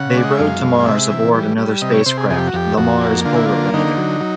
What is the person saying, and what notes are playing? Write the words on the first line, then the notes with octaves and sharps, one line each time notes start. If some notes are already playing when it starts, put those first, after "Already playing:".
They rode to Mars aboard another spacecraft, the Mars Polar Lander.
Already playing: C#3 F#5
C#5
G#3 D5
D#5
E5
F#2 F5
G#3
F5
C3 E5
E3
G3
G3
C3 D#5
C#5
C3 C5
G#4
F2 G#4
G4
F#4
F2 G4
F2 F#4
A#3
D3 F4
E4
A#3 F4
D3 D#4
F#3
F#3